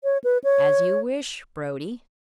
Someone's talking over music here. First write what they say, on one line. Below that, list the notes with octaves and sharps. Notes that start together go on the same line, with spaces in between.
"As you wish, Brodie."
C#5
B4
C#5